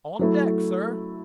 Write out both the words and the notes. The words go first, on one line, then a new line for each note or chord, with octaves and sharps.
"On deck, sir."
F#3 A3 E4